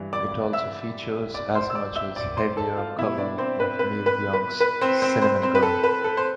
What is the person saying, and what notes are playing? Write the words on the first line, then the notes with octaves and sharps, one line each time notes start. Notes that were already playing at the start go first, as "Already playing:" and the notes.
It also features a much heavier cover of Neil Young's Cinnamon Girl.
Already playing: G2 E3 G3
D5 D6
E5 E6
D5 D6
C5 C6
E6
D5 D6
E5 E6
D5 D6
C5 C6
A4 A5
F4 F5
B2 G3 E4 E5
D4 D5
C4 C5
B4
B4
B4
B4
B4
C4 C5
C4 C5
C4 C5
C4 C5
B4
A4
B4
A4
C5